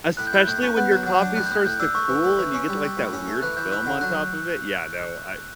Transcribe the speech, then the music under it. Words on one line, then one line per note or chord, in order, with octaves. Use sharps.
Especially when your coffee starts to cool, and you get, like, that weird film on top of it, yeah, no, I
A2 F#6
G6
E4
F#6
A2 G6
C#4
B3 F#6
F#3
F#3
D4
A2 F#6
G6
A2
F#6
A2 G6
D4 E6
A3 C#6
E3
A3
E3
C#4
G3
G3
A2
C#4
A3
E3 F#6
E3 G6
E4 F#6
D3
F#3 F#6